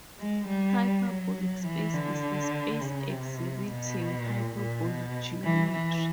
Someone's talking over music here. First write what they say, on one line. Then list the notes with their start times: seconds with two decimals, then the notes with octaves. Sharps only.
Hyperbolic space is a space exhibiting hyperbolic geometry.
0.19 G#3
0.48 G3
1.07 F#3
1.65 E3
1.94 D3
2.81 C#3
3.10 C3
3.69 B2
4.26 A#2
4.56 A#2
4.85 B2
5.44 E3
5.72 E3